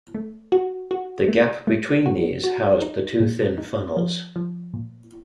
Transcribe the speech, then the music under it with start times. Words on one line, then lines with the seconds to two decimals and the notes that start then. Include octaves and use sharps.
The gap between these housed the two thin funnels.
0.15 A3
0.52 F#4
0.91 F#4
1.28 A3
1.67 A3
2.06 F#4
2.44 F#4
2.82 D#4
3.20 A#2
3.58 D#4
3.96 F3
4.36 F3
4.74 A#2